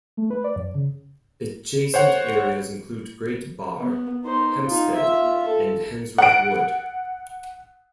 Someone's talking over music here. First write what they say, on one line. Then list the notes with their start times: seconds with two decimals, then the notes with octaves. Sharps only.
Adjacent areas include Great Barr, Hamstead and Handsworth Wood.
0.17 A3
0.30 B4
0.44 D5
0.56 F#2
0.75 C#3
1.94 C5 C#5 F#5
3.79 B3
4.24 D#4 C5
4.66 D#4 F4
4.95 F4 E5
5.47 A4
6.18 F#5 D7